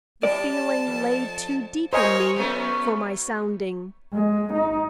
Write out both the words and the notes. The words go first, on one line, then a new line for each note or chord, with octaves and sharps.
The feeling lay too deep in me for my sounding.
G3 D5 A5
F2
A#3 A#4 C5 C#5 D#5 G#5
F#3 A3 B3 C#4
G#3
D#4